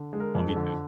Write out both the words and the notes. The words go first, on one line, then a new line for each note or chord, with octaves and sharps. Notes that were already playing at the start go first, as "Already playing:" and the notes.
Oh, me too.
Already playing: D3
G#3
A#4
F2
A4
D3